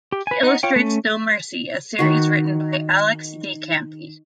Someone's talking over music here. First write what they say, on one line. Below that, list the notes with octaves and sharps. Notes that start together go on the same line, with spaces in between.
She illustrates "No Mercy", a series written by Alex di Campi.
G4
B4 G#5
D#4 F#5
F4 C#5 G5
A3 C#4
D#3 F#4